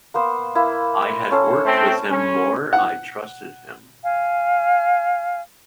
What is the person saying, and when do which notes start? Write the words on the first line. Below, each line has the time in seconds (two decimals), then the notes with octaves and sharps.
I had worked with him more; I trusted him.
0.14 A#3 B3 C5
0.55 A#3 E4
1.31 C#4 A4 C5
1.65 A3 C4
2.11 C#4
2.73 F#5
4.04 F5 G#5